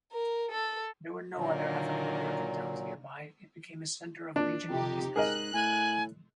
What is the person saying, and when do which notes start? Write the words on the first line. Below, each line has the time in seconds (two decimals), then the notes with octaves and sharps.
There were no other African-American towns nearby, it became a center of regional business.
0.12 A#4
0.51 A4
1.38 A#2 D3 D#3 F#3 A#3
4.36 A#2 D4
4.70 F2 C3 D#4 G4
5.16 G#2 G#4 A#4 D#5 F#6
5.53 A2 G#5